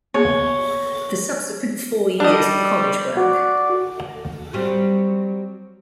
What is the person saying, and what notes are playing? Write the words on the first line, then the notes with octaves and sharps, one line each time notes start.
The subsequent four years were college work.
A#3 B3 G#4 C#5
G3 D4 D#5
F#4 D5
F#3 G3 C4